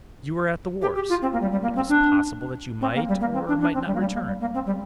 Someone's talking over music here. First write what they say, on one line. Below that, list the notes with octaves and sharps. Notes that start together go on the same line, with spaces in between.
You were at the wars; it was possible that you might, or might not return.
G4
G4
F4
C4
A#3
G3
G3
A#3
C4
D4
C4
A#3
G3
A#3
C4
D4
D4
C4
G3
A#3
G3
A#3
G3
A#3
C4
G3